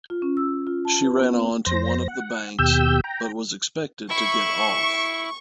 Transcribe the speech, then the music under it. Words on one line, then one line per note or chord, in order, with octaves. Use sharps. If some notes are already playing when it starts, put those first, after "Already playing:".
She ran on to one of the banks but was expected to get off.
F4
C#4
E6
F4
A5
B4
B3
F2 C5 A#6
F#5
D#2 B2 G4 E6 G6
G5 A#5
E4 C#6